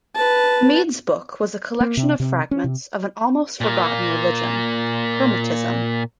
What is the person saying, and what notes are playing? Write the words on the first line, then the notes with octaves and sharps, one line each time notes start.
Mead's book was a collection of fragments of an almost forgotten religion: Hermetism.
B4 A5
A#3
C3
C3
C#4
C3
A#2 A#3